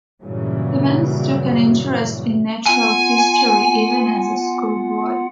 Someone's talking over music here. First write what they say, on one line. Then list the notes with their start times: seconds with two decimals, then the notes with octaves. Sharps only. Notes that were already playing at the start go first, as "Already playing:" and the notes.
Stephens took an interest in natural history even as a schoolboy.
0.22 G2 A#2 C#3 E3 F#3
2.67 B3 F4 F#5 G#5